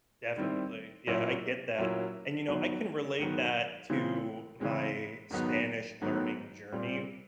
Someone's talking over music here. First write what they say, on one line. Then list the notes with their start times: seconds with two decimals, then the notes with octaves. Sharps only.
Definitely. Yeah, I get that. And, you know, I can relate that to my Spanish learning journey
0.36 D#3 G3 C4 E4
1.07 A#2 F#3 A#3 C#4 E4
1.78 A#2 F#3 A#3 C#4 E4
2.48 G#2 D#3 F#3 B3
3.19 G#2 D#3 F#3 B3
3.90 C#3 E3 G#3 C4
4.60 C#3 E3 G#3 C4
5.31 G#2 D#3 F#3 B3 D#4
6.01 G#2 D#3 F#3 B3 D#4
6.72 A#2 G3 C4